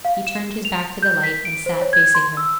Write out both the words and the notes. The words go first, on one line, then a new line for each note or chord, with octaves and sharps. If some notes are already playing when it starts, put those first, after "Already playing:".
He turned his back to the light, and sat facing her.
F5
E7
F7
G6
B6
D7
C5
C#5
G#6
C6
E6